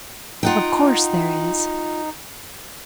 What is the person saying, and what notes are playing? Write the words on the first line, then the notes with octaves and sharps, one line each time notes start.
Of course there is.
D#4 F4 F#5 G5